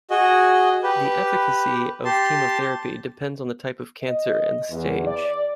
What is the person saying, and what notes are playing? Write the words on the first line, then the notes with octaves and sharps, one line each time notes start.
The efficacy of chemotherapy depends on the type of cancer and the stage.
F#4 G#4 D#5
G4 B4
G4 A5 C6
D#5
E2
D5